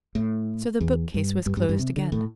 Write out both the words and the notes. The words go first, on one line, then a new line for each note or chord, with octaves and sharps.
So the bookcase was closed again.
A2
E2
G2
G2
G2
G2
C3
D3
A2